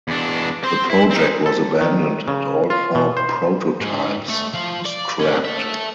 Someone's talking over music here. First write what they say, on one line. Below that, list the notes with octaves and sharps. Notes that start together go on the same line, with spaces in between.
The project was abandoned and all four prototypes scrapped.
E2 D4
C4 C5
E4
C4 D#4
A4
D#3
C#3
F4
B2
C5
G#2
A3
F3 F5
D5
C#4 G4
A4 E5